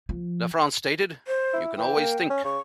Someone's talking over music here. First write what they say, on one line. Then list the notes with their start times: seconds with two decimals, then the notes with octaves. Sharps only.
LaFrance stated, You can always think.
0.09 F3
1.27 C5
1.53 E4
1.78 E3 G5
1.97 A#3
2.30 C#4
2.45 C#3 C#6